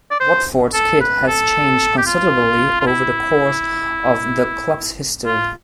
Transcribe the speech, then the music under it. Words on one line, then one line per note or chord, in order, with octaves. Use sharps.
Watford's kit has changed considerably over the course of the club's history.
D5
C5
A4
B4
A4
G4
F4
F4
E4
F4